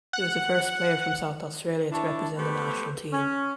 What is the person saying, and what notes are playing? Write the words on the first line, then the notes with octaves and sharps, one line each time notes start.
He was the first player from South Australia to represent the national team.
F#5
D4 E4 C#5 A5
A3 B3 G4 B4 C5
C#4